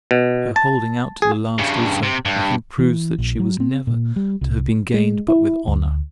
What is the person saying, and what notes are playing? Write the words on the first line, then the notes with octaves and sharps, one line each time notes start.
Her holding out to the last also, I think, proves that she was never to have been gained but with honour.
B2
A5
G#4
G2 C#3
C3
G2
E3
A#1
F#3
C4
A#2
G3
C2
G#3
E4
D2